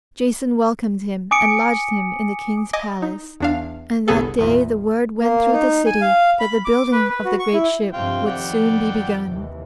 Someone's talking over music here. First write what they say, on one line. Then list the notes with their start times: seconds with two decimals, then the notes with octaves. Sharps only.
Jason welcomed him and lodged him in the king's palace, and that day the word went through the city that the building of the great ship would soon be begun.
1.31 G#5 D6 D#6 C#7 D7
2.73 D#5 G#5 D6 A#6
3.02 D#4
3.40 E2 D4 F5
4.08 G1 C2 B3 G#4 A4
4.39 G#1 E2 A#2
5.21 A#3
5.52 D#4
5.86 G#5
6.01 F5
6.40 B5
6.65 D6
6.92 B4
7.09 B4
7.25 F#4
7.40 C#6
7.53 E4
7.94 G2 C3 F3 F4 G5
8.26 F2 D#3 D5 F#5 G5
9.26 D#2 C3 E3